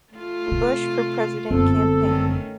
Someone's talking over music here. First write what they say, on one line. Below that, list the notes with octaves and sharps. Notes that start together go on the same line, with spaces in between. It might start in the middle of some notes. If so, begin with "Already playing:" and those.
Bush for President campaign.
A3 F4
C3
G1 F#2 B3 C4 A4
D#3 A3 C#4